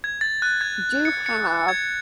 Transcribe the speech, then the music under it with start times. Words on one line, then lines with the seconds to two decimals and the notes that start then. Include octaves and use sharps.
do have
0.04 G#6
0.21 A6
0.42 F#6
0.61 G#6
1.05 C#7
1.26 C#7
1.68 G#6